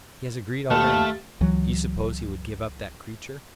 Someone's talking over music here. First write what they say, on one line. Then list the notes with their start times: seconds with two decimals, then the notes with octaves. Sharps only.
He has agreed already: do you suppose he would give up that creature?
0.70 D#2 A3 F5 A5
1.41 C#2 E3 F#3